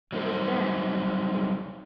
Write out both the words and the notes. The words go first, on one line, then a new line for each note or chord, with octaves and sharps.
It was then that Hook bit him.
F#3 G3 C4 D#4 A4 C5